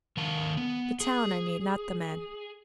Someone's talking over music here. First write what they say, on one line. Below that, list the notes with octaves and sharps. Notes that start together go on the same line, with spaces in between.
The town, I mean; not the men.
D#3 A#4 F5 A5
B3
G#4